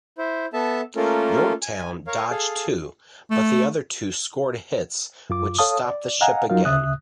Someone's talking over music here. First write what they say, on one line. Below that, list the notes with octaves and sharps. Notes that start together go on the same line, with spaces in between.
"Yorktown" dodged two, but the other two scored hits which stopped the ship again.
E4 C5
B3 A4 E5 A5
A3 A#3 C#4 F4 A4 A#4
G#5
A#4 C#5 F5
G#4 A4 F5
A3
F#2 F4 D6
A4 C#5 F5 A5 D#6
D5
D#5 F5 F#5 G#5 A#5
F#3 D#4 F4 F#4 A#4 F5
D2 C#3 E5 D#6 F#6